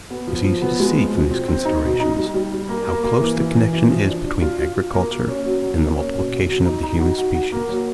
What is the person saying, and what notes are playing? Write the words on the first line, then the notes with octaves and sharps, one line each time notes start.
It is easy to see, from these considerations, how close the connection is between agriculture and the multiplication of the human species.
B3
F3
F3
B3
G#3
F3
B2
C4
C4
D#4
B2
D#4
G3
G3
G3
A#3
A#3
A#3
E3
E3
E3
E3
F3
D4
D4
F4
F4
F4
A#3
A#3
C#4
F#3
F#3
A#3
C#4
B2
B2
F#3
D#4
D#4
F#4
F#4
F#4
A#3
F#3